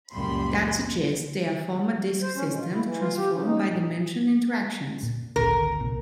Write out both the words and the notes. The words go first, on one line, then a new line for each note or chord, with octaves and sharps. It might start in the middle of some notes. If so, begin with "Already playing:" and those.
That suggests they are former disk systems, transformed by the mentioned interactions.
C#2 F#2 A#2 G3 B5 C6
C5
C#4
B2
F4
E4
E3
F4
G4
C#3
D#4
A#2
A#2
G#1 D2 A#4
C2 A#2